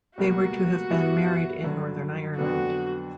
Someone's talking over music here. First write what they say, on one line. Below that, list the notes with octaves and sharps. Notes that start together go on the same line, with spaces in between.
They were to have been married in Northern Ireland.
C#2 B2 G3 A#3 F#4
G2 E3 G3 B3 E4
G2 D3 F#3
F2 D3 F#3 B3 D4 F#4